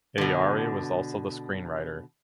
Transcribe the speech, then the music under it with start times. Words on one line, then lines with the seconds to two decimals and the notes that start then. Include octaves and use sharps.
Ayari was also the screenwriter.
0.18 B2 D3